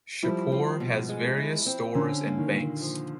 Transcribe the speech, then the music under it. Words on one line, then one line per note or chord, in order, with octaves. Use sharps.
Shahpur has various stores and banks.
F3 G3 E4
C4
B2
G#3
E4
C4
D3 C#4
A#3
D#3
A#2
F3